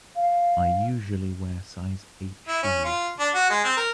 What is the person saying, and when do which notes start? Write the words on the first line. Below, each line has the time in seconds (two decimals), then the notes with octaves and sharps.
I usually wear size eight shoes.
0.16 F5
2.48 E4
2.63 C#4
2.84 F4
3.20 D4
3.34 F#4
3.50 G#3
3.64 C4
3.77 A#4